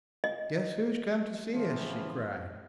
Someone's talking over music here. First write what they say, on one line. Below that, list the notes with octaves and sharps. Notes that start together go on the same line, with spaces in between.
"Guess who has come to see us!" she cried.
D#5
A2 C#3 E3 F3 F4 C5